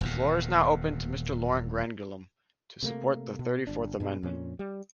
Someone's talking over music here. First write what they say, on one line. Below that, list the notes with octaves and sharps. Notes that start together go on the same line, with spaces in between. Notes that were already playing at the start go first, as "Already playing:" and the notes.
The floor is now open to Mr. Laurent Grandguillaume, to support the thirty-fourth amendment.
D#1 E2 A#2
C3 A3 A#3
B2
G1 D4
G2 B2 G3 G#3
F2 A#2 C#4
G3